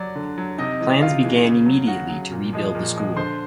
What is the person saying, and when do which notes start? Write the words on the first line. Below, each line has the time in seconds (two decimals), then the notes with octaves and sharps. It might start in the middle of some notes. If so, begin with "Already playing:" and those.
Plans began immediately to rebuild the school.
Already playing: F#3 D5
0.15 D3
0.38 F#3
0.58 C3 D#4 D#5
0.81 E3 G#3
1.01 C3 F4 F5
1.23 E3 G#3
1.45 C#3
1.66 F#3
1.87 C#3 F#4 F#5
2.09 F#3
2.31 A#2
2.53 F3 G#3
2.75 A#2
2.96 F3 G#3
3.17 D3 C5 C6